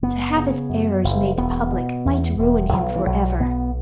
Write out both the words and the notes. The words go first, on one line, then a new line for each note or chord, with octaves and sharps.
To have his errors made public might ruin him for ever.
F#1 B3
C#3
F#2
F#1
E1 B3
B2
E2
E1
B1 F#3
E3
B1 F#3
B2 B3